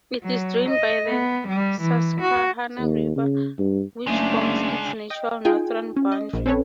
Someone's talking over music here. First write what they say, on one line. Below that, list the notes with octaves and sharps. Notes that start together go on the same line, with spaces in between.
It is drained by the Susquehanna River which forms its natural northern boundary.
F#3
D#5
B3
G3
E3
F#4
D#2
C#3
G2
F#1 C#2 G#3 A3 D4
D#5 G5
D#4 F4 G#4 G5 G#5
C#4
D#5
A#1
C4 C#4 A4 B4 C#5